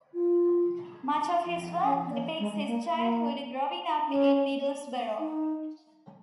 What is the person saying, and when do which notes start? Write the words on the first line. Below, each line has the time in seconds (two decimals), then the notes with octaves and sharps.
Much of his work depicts his childhood growing up in Middlesbrough.
0.14 F4
1.83 C#4
2.10 A#3
2.39 G#3
2.66 A#3
2.95 A#3
4.08 C#4
5.19 D#4